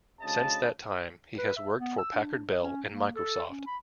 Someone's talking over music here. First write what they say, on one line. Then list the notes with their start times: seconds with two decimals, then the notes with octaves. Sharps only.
Since that time he has worked for Packard Bell and Microsoft.
0.21 D2 C#3 D#5 A5
1.38 B4
1.57 E5
1.77 B3
1.98 E6
2.14 D4
2.50 D#5
2.63 C#4
2.91 A#3
3.16 A4
3.50 C#4
3.67 B5